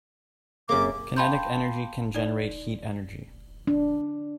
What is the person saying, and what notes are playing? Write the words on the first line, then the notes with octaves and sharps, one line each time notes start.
Kinetic energy can generate heat energy.
F#2 C#3 A#3 D6
F5 G5 A5 B5 C6 G6
D#4 D5
D4